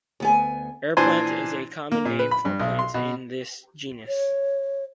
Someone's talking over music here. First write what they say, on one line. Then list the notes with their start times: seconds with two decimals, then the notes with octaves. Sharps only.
Airplant is a common name for plants in this genus.
0.20 D2 B3 G#5
0.97 A#2 E3 D4 C5 G#5
1.92 A#3
2.05 A#2
2.19 B4
2.31 B5
2.45 G2
2.59 B1
2.79 C6
2.94 B2
4.08 C#5